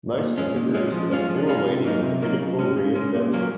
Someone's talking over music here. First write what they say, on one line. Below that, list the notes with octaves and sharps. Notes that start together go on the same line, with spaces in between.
Most of the groups are still awaiting the critical re-assessment.
A#2
G#3 C#4
A#2
G#3 C#4
F3
G#3 C#4 F4 G#4
F3
G#3 C#4 F4 G#4
C3
F#3 A#3 D#4
C3
F#3 A#3 D#4
C#3
G#3 C#4
C#3
G#3 C#4
A#2
F#3 A#3 C#4